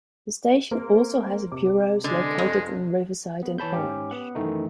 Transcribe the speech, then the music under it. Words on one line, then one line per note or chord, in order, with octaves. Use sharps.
The station also has bureaus located in Riverside and Orange.
A#3 C4 A#4
C3 D6
D3 G#3
F2
B3
E3 C#5 A5 B5 G6
G#2 C#4 G4
B3 F#5
F#2 D#3 E3 A3 D#4